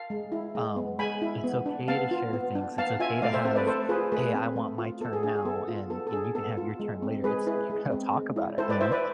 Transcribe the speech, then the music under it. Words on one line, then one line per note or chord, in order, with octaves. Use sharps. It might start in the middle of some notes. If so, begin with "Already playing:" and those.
Um, it's okay to share things, it's okay to have "Hey, I want my turn now, and and you can have your turn later." It's you gotta talk about it, you know?
Already playing: F5 A5
G#3
E4
G#3
B3
G#3 G#5 B5
E4
B3
D4
B3 F5 A5
F4
B3
D4
B3 F5 A5
F4 E5 G#5
A3 D5 F5
C5 E5
C4 A4 C5
B4 D5
A3 A4 C5
F4 G#4 B4
A3 G#4 B4
C4
A3
F4
B3 A4
G#4
D4 G#4
G#4
B3 A4
F4
B3 A4
A4
D4 G#4
B3 A4
F4
G#3
C4
G#3 G#4 B4
E4 G#4 B4
G#3
C4
G#3
E4
E4 A4 C5
B4 D5
E4 C5 E5
B4 D5